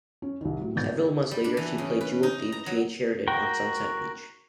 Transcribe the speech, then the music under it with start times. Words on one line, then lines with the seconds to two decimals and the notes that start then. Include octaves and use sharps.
Several months later, she played jewel thief, Jade Sheridan, on "Sunset Beach".
0.22 C#4
0.41 C2 D#3
0.61 A2 F#3
0.75 G#2 B2 B3 G6 A6
1.31 G3
1.44 D4
1.57 E3
1.78 C#3
2.01 B4
2.23 D#4
2.52 A#5
2.66 F#3
3.28 F#4 A#4 G5